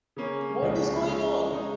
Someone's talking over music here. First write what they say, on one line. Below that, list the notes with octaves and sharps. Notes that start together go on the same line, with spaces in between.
What is going on?
C#3 A#3 C#4
C#2 C#3 F3 G#3
C#3 G#3 C#4
C#3 G#3 D#4